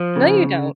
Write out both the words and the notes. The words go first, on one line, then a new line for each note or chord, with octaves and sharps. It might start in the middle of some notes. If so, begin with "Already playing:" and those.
No, you don't.
Already playing: F3
C#3